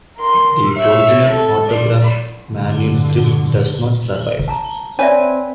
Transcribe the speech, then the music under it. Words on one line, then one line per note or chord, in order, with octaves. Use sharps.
The original autograph manuscript does not survive.
A#4 C6
C#5 E5
A4
D5
G2 D3
A5 A#5
C4 B4 C#5 D5 E5 G#5